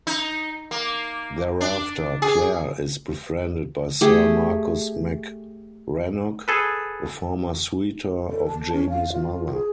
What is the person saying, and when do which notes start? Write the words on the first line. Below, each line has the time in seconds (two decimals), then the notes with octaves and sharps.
Thereafter Claire is befriended by Sir Marcus MacRannoch, a former suitor of Jamie's mother.
0.07 D#4
0.71 A#3
1.61 D4
2.22 G#4
4.01 A3 G4 G#4
6.48 G#4 A4 B4
8.30 A4
8.47 A5
8.73 C#4
8.90 F5
9.13 F4
9.52 G#4